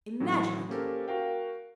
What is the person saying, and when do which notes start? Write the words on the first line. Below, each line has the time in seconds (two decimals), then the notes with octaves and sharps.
Imagine it!
0.20 A2 E3 F#3
0.69 A#3 C#4 G4 A4 A#4 C5
1.08 F#4 A#4 F5 G5